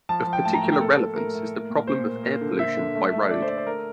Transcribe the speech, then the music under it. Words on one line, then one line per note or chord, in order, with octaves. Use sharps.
Of particular relevance is the problem of air pollution by road.
F3 A5
F3
G5
A2 A5
A#5
A2
G5
A#3 A4
A#3
A2 A#4
A2
A#3
A#2
A#2 C5
A#2
A#3
D3
D3 E5
D3
A3
A3
D3 D5
C5
A3 D5
C5
A3 A#4